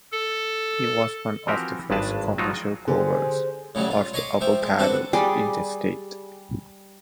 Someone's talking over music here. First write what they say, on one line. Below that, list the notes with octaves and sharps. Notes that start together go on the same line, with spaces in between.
He was one of the first commercial growers of avocados in the State.
A4
E3 F3 C4 F#4 G4 A#4
G#1 G2 G#3 D4 B4 A5
F3 F#3 G#3 D#4 F4 F#4
D3 G4 G#4 C5
A2 C#3 F#3 G3
F4
C#5 D#5 B5 C6 D6
F3 E5 G5
G#3
C4 D4 F#4 A4 B4
G3 G#4 D6